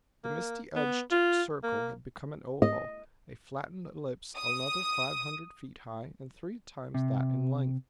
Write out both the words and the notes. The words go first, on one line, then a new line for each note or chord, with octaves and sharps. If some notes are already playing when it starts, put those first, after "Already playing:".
The misty-edged circle had become an oval, a flattened ellipse another five hundred feet high and three times that in length.
A#3
B3
F4
A#3
D#5
D#6
C3